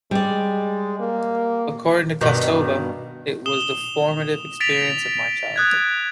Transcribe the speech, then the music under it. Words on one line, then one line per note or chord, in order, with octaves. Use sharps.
According to Kostova, It was the formative experience of my childhood.
G3 G#3 D5
A#3
G2 B2 D#3
D#6 E7 G7
A6 B6 D7 F7
D#6 F#6 G#6